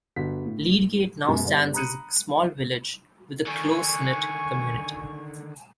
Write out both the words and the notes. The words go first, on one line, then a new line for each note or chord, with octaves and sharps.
Leadgate now stands as a small village with a close-knit community.
G1 F#4 B6
A2
F#2 B2 G#3
G1 G3 D5
A#5 B5 D#6 F#6 C#7 D#7
D3 D#3 G#5 C#6